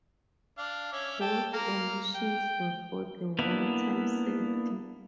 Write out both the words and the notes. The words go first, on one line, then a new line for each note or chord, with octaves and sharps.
Both omissions were for wartime safety.
D4 F5
C#4 E5 D6
A4 G5
A#3 A#4
G5
A#3 B3 D4 E4 B4